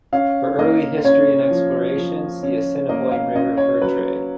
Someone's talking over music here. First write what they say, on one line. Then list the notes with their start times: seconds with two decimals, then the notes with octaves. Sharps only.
For early history and exploration see Assiniboine River fur trade.
0.13 C#4 F5
0.59 A#3 D#5
1.05 C#4 C#5
1.50 F3
1.97 F3
2.43 C#4
2.89 A#3 D#5
3.11 F5
3.35 C#4 D#5
3.57 C#5
3.81 F#3 B4